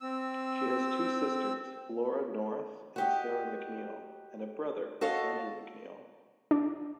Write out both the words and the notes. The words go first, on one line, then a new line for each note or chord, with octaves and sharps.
She has two sisters, Laura Norris and Sarah McNeil, and a brother, Andrew McNeil.
C4 E6
F#4 G4 D#5
F#4 A4 C#5 D#5 F5
D4